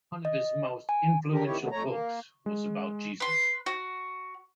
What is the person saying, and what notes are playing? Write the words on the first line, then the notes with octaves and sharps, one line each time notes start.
One of his most influential books was about Jesus.
D#5
G#5
C#3 G4 A#4
C3 D#3 E4 G4 C#5
D3 D#3 A3 B3
F2 A3 C#5 A#5
A#3
G#3
B4 C6
F#4